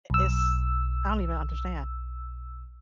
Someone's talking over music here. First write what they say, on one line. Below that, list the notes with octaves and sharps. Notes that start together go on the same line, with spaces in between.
Eh is I don't even understand.
B1 E6